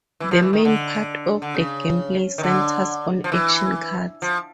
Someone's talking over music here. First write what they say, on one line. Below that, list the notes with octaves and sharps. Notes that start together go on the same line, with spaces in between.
The main part of the gameplay centers on "action cards".
E3
F3
E3
D#3
D3
D3
C#3
D#3
D3
F3
E3
F3